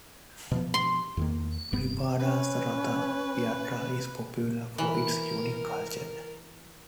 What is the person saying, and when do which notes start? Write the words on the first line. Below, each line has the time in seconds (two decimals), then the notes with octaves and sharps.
Baripada's Ratha Yatra is popular for its unique culture.
0.51 B2 F3 B3
0.74 C6
1.17 E2 D#3 A#3
1.72 F1 G2 B3
2.20 C#4 B4
4.78 E3 A#4